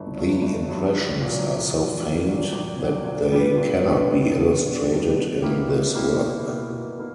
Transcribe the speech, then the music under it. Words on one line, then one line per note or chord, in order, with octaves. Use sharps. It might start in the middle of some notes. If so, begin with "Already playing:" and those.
The impressions are so faint that they cannot be illustrated in this work.
Already playing: G1 G2 F#3
G2 F#3
G1
G2 F#3
A#1
A#2 F#3
A#1
A#2 F#3
A#1
A#2 F#3
A#1
A#2 F#3
A#2
G3 B3 D4 G4
A#2
G3 B3 D4 G4
A#2
G3 B3 D4 G4
A#2
G3 B3 D4 G4
B2
A#3 E4 G4
B2
A#3 E4 G4
B2
A#3 E4 G4
B2
A#3 E4